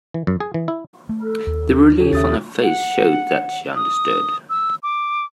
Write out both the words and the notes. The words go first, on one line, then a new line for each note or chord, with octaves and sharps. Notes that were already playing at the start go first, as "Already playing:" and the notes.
The relief on her face showed that she understood.
E3
F#2
G#4
E3
E4
A3
A4
D#2
C#3 C#4 G4 A4
D#2 E5 D#6 A6
F#5
D#6
E6
D6